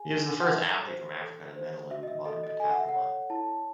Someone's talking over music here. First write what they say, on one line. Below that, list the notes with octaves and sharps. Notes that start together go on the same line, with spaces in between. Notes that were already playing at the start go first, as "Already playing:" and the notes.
He is the first athlete from Africa to medal in modern pentathlon.
Already playing: G#4 G#5
D#4
F#5
A4 E5
C5
A4
C5
F#4 E5
D#5
E5
A4 D#5
D#5
A4 G#5
F#5
E5
F#5
C#5
E4 A5